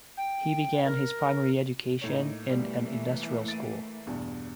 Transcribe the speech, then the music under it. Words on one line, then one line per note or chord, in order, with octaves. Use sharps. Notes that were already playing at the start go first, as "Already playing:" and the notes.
He began his primary education in an industrial school.
G5
A#4
A2 A#3 D#4 C#5
B2 E3 G3 A3 A#3
A6 D7 D#7
E2 G2 B2